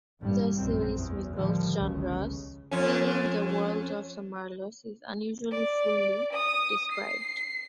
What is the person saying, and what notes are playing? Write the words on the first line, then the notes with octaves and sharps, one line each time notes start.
The series mingles genres, meaning the world of the Marlows is unusually fully described.
A1 G2 B2 G3
A#1 F#2 C4
E2
A2 D3 D#3 F3 G3
G1 C#2 C#3
F2 C#4
D5
D#6
C7